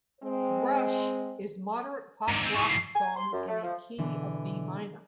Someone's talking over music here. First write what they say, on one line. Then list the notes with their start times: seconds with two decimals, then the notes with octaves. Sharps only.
"Rush" is moderate pop rock song in a key of D minor.
0.24 G#3 C4
2.28 G#2 D3
2.42 G#2 C4
2.55 G#2 E3 C#6
2.69 C7
2.95 G#5
3.16 C6
3.32 F#2
3.48 A3
3.63 F3
3.99 B2 D3 E3